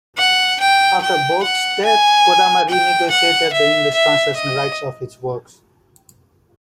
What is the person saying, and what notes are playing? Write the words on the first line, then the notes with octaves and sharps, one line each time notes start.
After Borges's death, Kodama renegotiated the English translation rights of his works.
F#5
G5
G5
F#5
G#5
G5
F#5
E5
E5
D#5